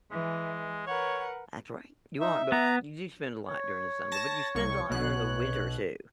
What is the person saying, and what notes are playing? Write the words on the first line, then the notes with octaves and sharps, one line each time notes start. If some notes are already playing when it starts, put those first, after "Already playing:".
That's right. You are, but you do spend a lot during the summer, but you spend a lot during the winter too
E3 G#3
A#4 B4 C#5 F#5
D#4 E5
B3 A#5
C#5
A5 A#6
C2 C#6
B1 B2 F#6